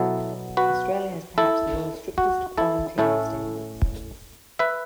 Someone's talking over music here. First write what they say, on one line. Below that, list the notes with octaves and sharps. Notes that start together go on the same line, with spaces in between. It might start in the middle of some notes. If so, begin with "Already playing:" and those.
Australia has perhaps the world's strictest quarantine standards.
Already playing: B2 F#3 B3 E4 A4
F#4 B4
E4 A4
F#4
E4 A4
A2 A3 C#4 E4 A4
B4 E5